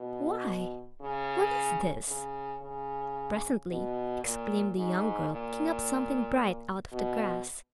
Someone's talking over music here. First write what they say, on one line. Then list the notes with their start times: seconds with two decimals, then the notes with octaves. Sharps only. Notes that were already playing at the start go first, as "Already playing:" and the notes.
"Why, what is this?" presently exclaimed the young girl, picking up something bright out of the grass.
Already playing: B2
1.01 C#3
2.08 C#3
2.62 C#3
3.70 B2
4.23 A#2
4.77 G#2
5.30 A#2
6.92 B2